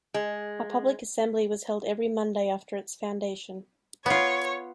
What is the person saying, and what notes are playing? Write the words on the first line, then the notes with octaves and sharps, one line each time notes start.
A public assembly was held every Monday after its foundation.
G#3
B3 F4 C#5